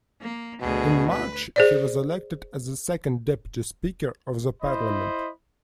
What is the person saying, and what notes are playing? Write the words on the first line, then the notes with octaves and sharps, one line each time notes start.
In March he was elected as the Second Deputy Speaker of the parliament.
A#3
D2 B2 G#4
B4
G#4 C5 D5
E4 C5 D#5 B5